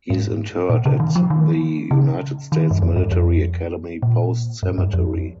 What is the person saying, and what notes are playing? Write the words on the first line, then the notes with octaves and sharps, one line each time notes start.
He is interred at the United States Military Academy Post Cemetery.
G#2
A#2
C#3
D#3
F3
D#3
C#3
D#3
G2
F2
G2
F2
A#2
G2
G2
F2